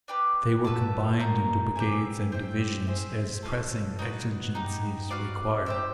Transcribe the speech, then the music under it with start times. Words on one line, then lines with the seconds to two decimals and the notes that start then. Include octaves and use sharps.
They were combined into brigades and divisions as pressing exigencies required.
0.08 D4 G4 B4
0.65 F#4 B4 E5 A5
1.19 D#4 F#4 A#4
1.76 G4 B4 E5 G#5
2.32 G4 C5 E5 G5
2.87 G#4 C5 E5
3.43 C#4 F4 A4
3.99 D#4 F#4 B4
4.55 B3 D#4 G4
5.10 F#4 B4 D5 F5
5.66 G4 C5 E5